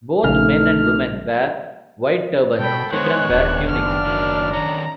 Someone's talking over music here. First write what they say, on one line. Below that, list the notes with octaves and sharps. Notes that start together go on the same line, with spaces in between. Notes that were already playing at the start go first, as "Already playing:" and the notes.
Both men and women wear white turbans; children wear tunics.
A#1 C#3 A3 D#4 F6
B2 A4 G5 B5
D#3 G#3 B3 C5 C#5 F#6
D#1 D4
F#1 D4 F6
D#3 F#3 A#3
D#3 C#4 A#5